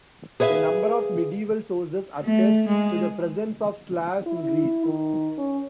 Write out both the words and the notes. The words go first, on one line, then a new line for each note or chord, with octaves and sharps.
A number of medieval sources attest to the presence of Slavs in Greece.
G#4 B4 C#5 E5 F5
A3
G#3
E4
D#3
C#4